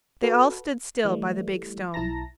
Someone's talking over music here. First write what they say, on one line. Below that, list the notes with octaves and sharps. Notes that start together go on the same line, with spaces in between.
They all stood still by the big stone.
F#4 A4 B4
E3 G3 A3
B1 E4 A5 A#5 A#6